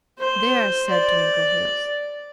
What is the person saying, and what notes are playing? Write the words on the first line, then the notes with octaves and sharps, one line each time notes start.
"There!" said Twinkleheels.
C5
D5